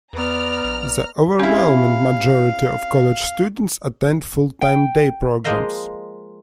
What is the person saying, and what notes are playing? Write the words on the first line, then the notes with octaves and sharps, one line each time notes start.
The overwhelming majority of college students attend full-time day programs.
E2 B3 D5 A#5 F6
A#1
C4 C#4 E4 G4 F5
G5
F3 G#3 A#3 C5 D#5 F5